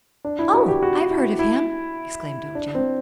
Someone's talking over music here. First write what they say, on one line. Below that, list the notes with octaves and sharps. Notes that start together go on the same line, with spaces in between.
"Oh, I've heard of him!" exclaimed Ojo.
D4
E4
F#4
G4
F#4
E4
E4
D4
C4